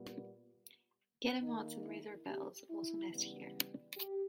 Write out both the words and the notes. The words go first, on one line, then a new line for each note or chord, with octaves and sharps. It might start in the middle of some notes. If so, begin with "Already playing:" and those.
Guillemots and razorbills also nest here.
Already playing: A#2 G3 B3
D#3 A#3 D#4
E4
G4
E4
C#3 E3 G3 B3
G4